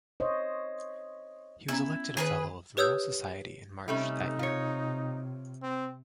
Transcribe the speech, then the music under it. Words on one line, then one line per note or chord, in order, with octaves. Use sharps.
He was elected a Fellow of the Royal Society in March that year.
C5 C#5 D#5
B3 C#4 E4
D#3 G#4 A#4 B4
G4 B4 C#5 D#6 E6 G6
C3 G3 A3 C#4 D#4
F4 C#5
C4